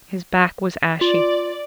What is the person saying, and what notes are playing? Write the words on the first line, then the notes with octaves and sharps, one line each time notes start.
His back was ashy.
F4 D5